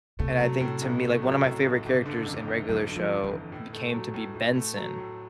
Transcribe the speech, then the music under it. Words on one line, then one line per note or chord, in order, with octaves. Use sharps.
And I think to me like, one of my favorite characters in Regular Show became to be Benson,
C3 A3
F#3
A2
B1
A3
F#3
A2
B1
G1 C#3
D3
F2
G1
G1 F#3
D3
F3
F2
E3
G1
A2
A3
F#3
A2
A2
A3
F#3
A2